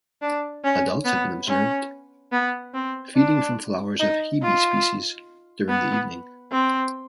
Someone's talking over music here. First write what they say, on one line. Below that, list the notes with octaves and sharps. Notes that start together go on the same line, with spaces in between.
Adults have been observed feeding from flowers of "Hebe" species during the evening.
D4
C#4
B3
C#4
B3
C4
D4
D#4
F4
B3
C4